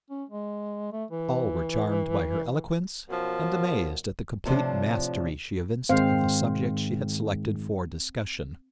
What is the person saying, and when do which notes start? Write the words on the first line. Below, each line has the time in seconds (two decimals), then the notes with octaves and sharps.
All were charmed by her eloquence and amazed at the complete mastery she evinced of the subject she had selected for discussion.
0.10 C#4
0.30 G#3
0.93 A3
1.11 E3
3.10 F#2 B2 F3
4.45 A2 C3 F3 D4
5.89 G#2 D#3 G#3 C4 C5 F5